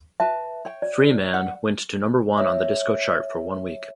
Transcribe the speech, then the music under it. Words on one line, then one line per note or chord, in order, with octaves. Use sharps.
"Free Man" went to number one on the disco chart for one week.
B4 E5 A5
C#5 G5
D5
F#5
C#5 E5